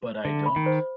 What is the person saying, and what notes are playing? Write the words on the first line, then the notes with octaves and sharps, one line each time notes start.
But I don't!
D3 E5
B5
D#3
C5